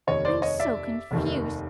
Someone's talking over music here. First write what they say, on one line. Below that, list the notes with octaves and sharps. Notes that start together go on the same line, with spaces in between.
I am so confused.
F1 D#2 D#3 C#5 D#5
C5 D5
C#5 D#5
D5 E5
F1 D#2 D#3